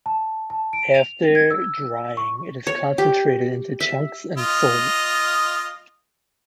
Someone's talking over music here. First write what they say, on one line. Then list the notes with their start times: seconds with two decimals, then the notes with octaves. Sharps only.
After drying it is concentrated into chunks and sold.
0.06 A5
0.50 A5
0.73 D7
0.95 F7
1.35 G#6
1.51 E6
2.17 C#6
2.67 C#5
2.98 G4
3.80 E5
4.38 F4 D#5